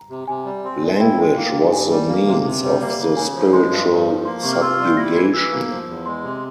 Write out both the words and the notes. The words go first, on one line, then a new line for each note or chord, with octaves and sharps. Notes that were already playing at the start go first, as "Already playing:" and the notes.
Language was the means of the spiritual subjugation.
Already playing: A#5
C3
C3 G#5
G3
C4
A#2
E4 G5
G#3
A#3
G2
G2 G#5
G3
A#3
C3
C3
G3
A#3
C#3
C#3 G#5
F3
G#3 C6
G2
G2
F3
A#3 C6
C3 C#6
F6
F4 E6
F6
G3
G6
E4 A#6
E3 G#6
E3 E6
A#3
F3
E2
G#3 C6
C3